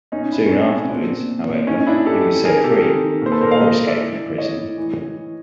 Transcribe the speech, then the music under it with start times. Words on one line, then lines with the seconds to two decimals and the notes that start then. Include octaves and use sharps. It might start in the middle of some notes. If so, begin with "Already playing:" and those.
Soon afterwards, however, he was set free, or escaped from prison.
0.12 B2 C#4 D#4
0.32 B2 D4 E4
0.46 C#4
0.51 B2 C4 D4
0.71 B2 C#4
0.90 A#2 C4 D4
1.09 A#2
1.29 A#2
1.48 A#2
1.67 A2 C#4 D#4
1.81 D#4
1.86 A2 D4 E4
2.06 A2 G4 A4
2.26 E3
2.45 D#3 G#4 A#4
2.64 C3 G4 A4
2.84 D#3
3.04 D#3
3.22 A#2 C5
3.32 A4 B4
3.41 A#2 A#4 C5
3.51 D#5 F5
3.61 A#2 D#5 F5
3.81 A#2
3.87 D5 E5
4.00 E3
4.20 E3
4.38 A2 C#5 D#5
4.58 A2
4.78 E3
4.97 E3
5.16 E3